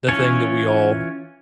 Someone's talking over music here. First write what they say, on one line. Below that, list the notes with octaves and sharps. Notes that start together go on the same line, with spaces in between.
the thing that we all
E3 C#4 F4 C#5